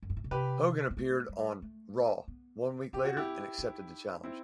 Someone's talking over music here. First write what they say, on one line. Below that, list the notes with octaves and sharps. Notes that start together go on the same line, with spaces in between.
Hogan appeared on "Raw" one week later and accepted the challenge.
F#2
G2
A2
B2
C3 G4 B4
B3
A3
G3
A3
B3
C4 G4
F#4
E4 G4
D#4
C4 E4